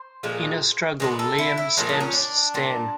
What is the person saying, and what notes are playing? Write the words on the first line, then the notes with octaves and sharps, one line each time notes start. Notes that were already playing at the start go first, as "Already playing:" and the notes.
In a struggle, Liam stabs Stan.
Already playing: C5
A#2 F3 G#3
A#2 F3 G#3 B4
A4
E4
E4
A#2 F3 G#3 D#4
D4
C#4
D4
A#2 G3